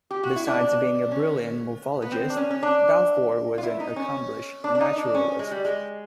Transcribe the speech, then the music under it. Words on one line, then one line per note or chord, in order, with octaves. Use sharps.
Besides being a brilliant morphologist, Balfour was an accomplished naturalist.
G4
F#4
E4
D4
D4
C#4
B3
C4
D4
C#4
C#4
D4
F4
E4
D#4
C#4
D4
D4
D#4
D4
C#4
G#3
G3
G#3